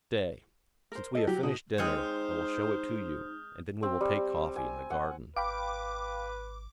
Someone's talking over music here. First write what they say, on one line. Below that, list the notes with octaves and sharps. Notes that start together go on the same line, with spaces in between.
Stay, since we have finished dinner, I will show it to you, and then we will take coffee in the garden.
A#4 C5
A4 D#5
F#3 G4
B2 D#4
G#3 C4 D#4 C5 C#5 D#6 F6 G6
C4
G3
G#5
F#5
G#1 B4 F5 G5 B5 D6